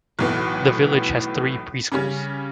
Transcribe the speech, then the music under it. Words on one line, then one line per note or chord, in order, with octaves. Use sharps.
The village has three Preschools.
B1 A2 E3 B3
C#3 G3 C#4